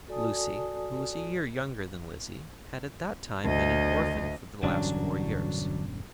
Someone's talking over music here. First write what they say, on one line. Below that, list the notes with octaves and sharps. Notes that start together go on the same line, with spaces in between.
Lucy, who was a year younger than Lizzie, had at that time been an orphan for the last four years.
F#4 A4 D5 G#5 A5 D#6
D2 D#5
E1 G2 D3 F#3 C#4 D4